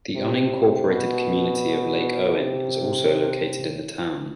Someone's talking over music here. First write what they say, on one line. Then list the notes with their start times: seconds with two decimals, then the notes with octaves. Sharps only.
The unincorporated community of Lake Owen is also located in the town.
0.16 C3
0.90 B2
2.37 C3